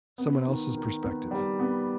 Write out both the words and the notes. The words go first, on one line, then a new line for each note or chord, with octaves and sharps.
someone else's perspective.
B3
D#3
D#3
B3
G3
B3